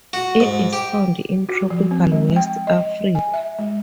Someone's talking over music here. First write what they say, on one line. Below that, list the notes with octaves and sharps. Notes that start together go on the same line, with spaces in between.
It is found in tropical West Africa.
F#4
G#2
G4
F#4
F3
C4
G#3
G5
D#5
G#5
E5
G#3